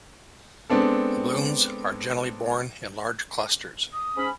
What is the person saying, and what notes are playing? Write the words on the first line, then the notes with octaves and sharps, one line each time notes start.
Blooms are generally borne in large clusters.
G#3 B3 C4 D4 A4
D#6
G#2 C#4 B5